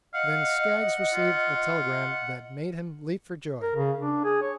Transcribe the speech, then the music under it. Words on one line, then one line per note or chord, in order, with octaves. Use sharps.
Then Skaggs received a telegram that made him leap for joy.
D#5 F5 F#5
F4
A#4
C#3
D4
G#4
C#5